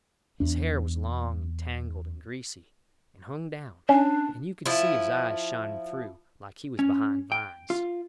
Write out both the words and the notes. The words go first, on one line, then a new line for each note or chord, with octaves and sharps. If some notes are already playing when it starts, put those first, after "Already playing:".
His hair was long and tangled and greasy, and hung down, and you could see his eyes shining through like he was behind vines.
E2 D4
C#4 D4
F3 E4
C#4
G5
F4